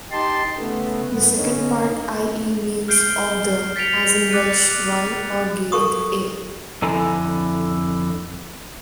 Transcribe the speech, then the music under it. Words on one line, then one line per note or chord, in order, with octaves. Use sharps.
The second part "-ie-", means "of the", as in Welsh "y" or Gaelic "a"'.
D#4 G4 A5 C6
C#3 A3 B3
G2 B3
D3 C#4 D#4
F6 G6 C7 D7 G7
A6 B6 C#7 D7 F7
D6 F#6 A6 C#7 D#7
A4 A#4 C#6 D#6
F2 D3 E4 A4 G#5 A#5